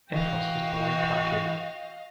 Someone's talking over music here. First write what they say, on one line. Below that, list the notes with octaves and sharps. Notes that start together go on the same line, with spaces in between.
Efros was born in Kharkiv.
E3 F#4 D#5 F5 G5